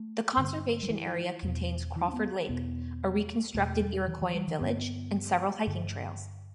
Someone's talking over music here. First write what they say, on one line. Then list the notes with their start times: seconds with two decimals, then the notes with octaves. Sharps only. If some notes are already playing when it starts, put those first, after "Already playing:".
The conservation area contains Crawford Lake, a reconstructed Iroquoian village, and several hiking trails.
Already playing: A3
0.37 G2 D3
0.83 G3
0.90 E3
1.43 E2 B2
1.96 E3
2.08 D4
2.14 B3
2.49 E2 B2 B3
3.54 E2 B2 A3
3.81 G3
4.08 E3
4.22 E3
4.34 G3
4.48 E3
4.61 G2 D3 B3
5.67 G2 D3